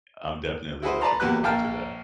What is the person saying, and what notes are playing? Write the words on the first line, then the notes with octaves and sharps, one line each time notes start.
I'm definitely looking forward to that.
E4 F#4 G#4 B4 C5
B4 D5 A5 A#5 C6
E2 A#3 F#4 G4 B4 F#6
A#1 A#3 F5 G5 A5 F6